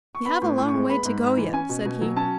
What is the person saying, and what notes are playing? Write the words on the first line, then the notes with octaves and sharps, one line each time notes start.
"We have a long way to go yet," said he.
C#6
B3 B5
A2
A2
C#6
G#3
B3 B5
G#2
G#2
E3
C#4 G#5
B2
B2
F#3
C#4 A5